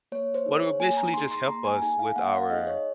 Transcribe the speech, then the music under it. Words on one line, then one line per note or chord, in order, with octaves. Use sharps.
But it would basically just help us with our
A#3 C#5
C5
D#4 G#4
C#5
A#3 G#5
A#5
D#4 G#4 C6
C6
A#3 A#5
G#5
D#4 G#4 G#5
F5
A#3 F#5
F5
D#4 G#4 D#5
C#5